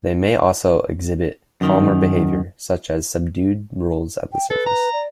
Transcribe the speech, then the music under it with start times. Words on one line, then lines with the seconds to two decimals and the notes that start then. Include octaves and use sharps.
They may also exhibit calmer behavior, such as subdued rolls at the surface.
1.61 F#2 D#3
4.33 G5
4.50 A4 B4
4.66 A#5
4.93 D5